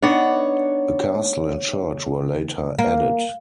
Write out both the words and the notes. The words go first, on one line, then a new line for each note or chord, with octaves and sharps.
A castle and church were later added.
B3 D4 D#4 C#5 F#5
A#3